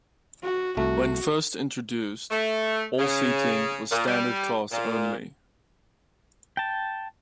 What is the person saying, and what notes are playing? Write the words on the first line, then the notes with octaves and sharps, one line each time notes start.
When first introduced, all seating was standard class only.
F#4
C2 A3 F#4
A3
C#3
A#2
G3
A#2
G5 A5